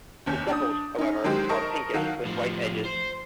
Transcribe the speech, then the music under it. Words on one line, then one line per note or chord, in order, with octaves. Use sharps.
The sepals, however, are pinkish with white edges.
F1 D#2 C#4 G6
D4 D#6
C#4 D#4
D#3 F#3 G#3 G4 C5
A#4 D#5 A5 C#6
D#3 F#3 F5 F#5
A2 F3
C5